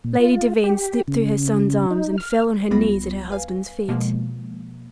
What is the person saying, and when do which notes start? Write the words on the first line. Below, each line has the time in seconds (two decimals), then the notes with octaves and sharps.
Lady Devine slipped through her son's arms and fell on her knees at her husband's feet.
0.04 A#2
0.20 F4
0.64 G4
1.08 C#3
1.91 D#4
2.18 F6
2.71 C#2 G3 B3 F4 B5 A#6
3.30 B4 F5 G#5
3.88 B2 F3 G#3 A#3